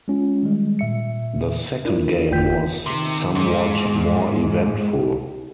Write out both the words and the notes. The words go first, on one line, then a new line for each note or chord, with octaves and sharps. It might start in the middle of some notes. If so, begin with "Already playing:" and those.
The second game was somewhat more eventful.
G#3 C#4 F4
D#3 G3 G#3
A#2 E5 C#7
D4 E4 F4 A#4 D5
G1 F2 F4 G5 G6 B6
C3 D#3
C#2 G#2 G#3